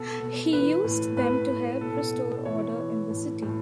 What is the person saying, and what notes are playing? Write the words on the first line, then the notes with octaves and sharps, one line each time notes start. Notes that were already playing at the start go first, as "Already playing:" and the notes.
He used them to help restore order in the city.
Already playing: B2 A4
B2
E3 B4
A2
A2 B4
A2
B2 A4
B2
E3 C#5
E3
A2
A2